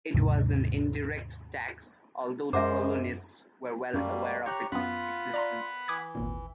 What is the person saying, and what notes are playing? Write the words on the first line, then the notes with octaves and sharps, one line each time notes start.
It was an indirect tax, although the colonists were well aware of its existence.
D#2 G#2 C3 F3
F#2 G#3 A#4 C5 E5 F#5 D6
F#2 G3 A3 A#3
G4 C#5 A#5 F#6 G6
F#2 B3 F4 F#5 B5
D5 A#5 C6
E3 D6 D#6 G#6
G#1 D#2 A#2